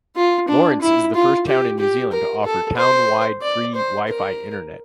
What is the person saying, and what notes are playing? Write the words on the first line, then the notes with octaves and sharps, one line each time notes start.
Lawrence is the first town in New Zealand to offer town-wide free WiFi internet.
F4
D4
E4
F4
G4
G4
A#4
A4
C5
D5
C5
A#4